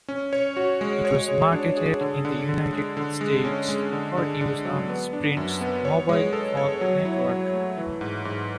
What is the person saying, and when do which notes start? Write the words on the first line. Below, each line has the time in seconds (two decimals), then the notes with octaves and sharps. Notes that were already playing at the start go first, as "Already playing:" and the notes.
It was marketed in the United States for use on Sprint's mobile phone network.
0.08 C#4
0.33 C#5
0.57 F#4
0.81 G#3
1.05 C#5
1.28 G#3
1.53 D4
1.77 G#4
2.01 D3
2.25 D3
2.49 D3
2.73 G#3
2.97 D3
3.21 G#3
3.45 C#4
3.69 G#3
3.93 D3
4.17 D3
4.41 D3
4.65 F#3
4.89 B3
5.13 D4
5.37 F#2
5.61 B3
5.85 C#5
6.09 G#3
6.33 A4
6.57 C#5
6.81 F#3
7.05 E4
7.29 F#3
7.54 A3
7.77 E3
8.01 G#2
8.25 G#2